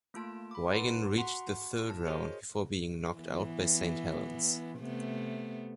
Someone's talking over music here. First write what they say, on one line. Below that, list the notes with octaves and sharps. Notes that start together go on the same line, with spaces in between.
Wigan reached the third round before being knocked out by Saint Helens.
A3 A#3 F4 A5 D7
B5 D6
D#4 B4 F#5 A5 A#5 C6
F#4 F#5 A#5 C6
E4 A5
F#4 G#4 A#4 C5 C#5 D#5
E3 B3
C3 A3 B3